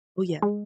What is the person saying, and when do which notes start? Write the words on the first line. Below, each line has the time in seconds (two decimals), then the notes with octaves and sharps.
Ooh, yeah.
0.42 G#3